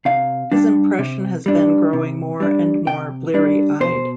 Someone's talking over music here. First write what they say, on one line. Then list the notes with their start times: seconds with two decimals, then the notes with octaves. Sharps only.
His impression has been growing more and more bleary-eyed.
0.05 C3 F5
0.52 G3 D4
0.99 C3
1.46 G3 D4
1.93 C3
2.40 G3 D4
2.87 C3 G5
3.34 G3 D4
3.80 B2 C5